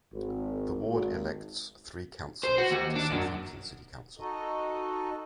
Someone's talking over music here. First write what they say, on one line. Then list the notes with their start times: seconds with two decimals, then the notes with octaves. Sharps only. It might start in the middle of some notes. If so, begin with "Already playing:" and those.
The ward elects three councillors to Southampton City Council.
0.13 G#1
0.87 G#1
2.44 C5
2.58 F#4
2.71 D#2
2.95 D4
3.11 F#2
4.19 D#4 F#4 A4 D#5